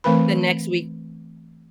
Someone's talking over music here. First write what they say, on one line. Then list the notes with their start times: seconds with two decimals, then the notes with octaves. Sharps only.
The next week
0.04 E3 A3 C4 A#4 B4 B5